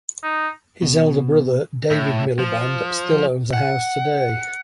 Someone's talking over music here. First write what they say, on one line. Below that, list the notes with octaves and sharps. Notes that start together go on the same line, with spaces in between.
His elder brother, David Miliband, still owns the house today.
D#4
B2
A2
F3
F#5